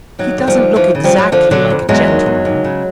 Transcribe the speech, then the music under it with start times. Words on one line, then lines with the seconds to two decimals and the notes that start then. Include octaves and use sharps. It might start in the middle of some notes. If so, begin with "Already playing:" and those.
"He doesn't look exactly like a gentleman."
0.19 D#2 F#3
0.38 D3
0.47 F3 G3
0.57 D#2
0.75 E3 F3
0.95 C#3
1.04 F3 G3
1.13 F2
1.18 F#3
1.32 D3 F3
1.51 D3 F#3
1.70 F2
1.89 E2 F#3 G#3
2.08 D#3
2.26 E2
2.45 D#2
2.64 C#3